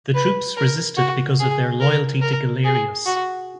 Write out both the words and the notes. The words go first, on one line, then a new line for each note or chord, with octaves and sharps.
The troops resisted because of their loyalty to Galerius.
B4
A#4
F#4
G#4
A#4
A#4
G#4
F#4